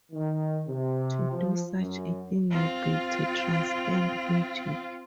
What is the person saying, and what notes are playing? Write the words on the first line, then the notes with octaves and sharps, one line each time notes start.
To do such a thing would be to transcend magic.
D#3
C3
F3
F#2
C4 F4